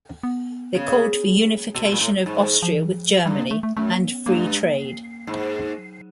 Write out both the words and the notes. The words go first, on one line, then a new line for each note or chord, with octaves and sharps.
They called for unification of Austria with Germany and free trade.
B3
C#3
A#3
B2
B2
A#2
A2
G#2 F3
D#3
F3
F3
E3
F3
F#3
G2 G3
A#3
A3
A3
F#2 A3
A#3
B3
G2 A#3
A3
G#3
A#3
G#2
F#3